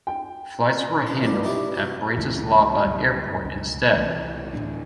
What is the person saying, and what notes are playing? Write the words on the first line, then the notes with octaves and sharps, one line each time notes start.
Flights were handled at Bratislava Airport instead.
G5
D#2 B4 C5
B1 D#3 F3 D5
D#4 E4 G4 B4 C#5 D5
C3 F#3
C#2 G#2 E3
C#2 F#2 A2 G3
C#2
C2 E3 A3
D2 A2 A#3 D4